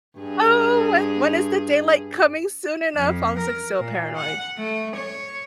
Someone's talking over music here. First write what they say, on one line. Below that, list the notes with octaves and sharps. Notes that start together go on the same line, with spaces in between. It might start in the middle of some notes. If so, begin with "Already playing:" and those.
"Oh, when when is the daylight coming soon enough?" I was, like, so paranoid.
G2 G#4
F2
A#4
A#2
F#5
A3
C#5